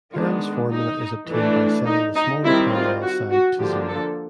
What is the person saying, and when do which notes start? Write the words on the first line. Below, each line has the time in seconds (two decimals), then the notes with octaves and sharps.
Heron's formula is obtained by setting the smaller parallel side to zero.
0.13 D#3 G#3 B3 D4 F4
0.71 D#4
1.29 E3 A3 D4
1.86 D#4
2.15 D#4
2.44 D#3 G3 C4 E4
2.73 F4
3.02 F#4
3.31 F#4
3.59 D3 F3 A#3 D4 G4
3.88 A4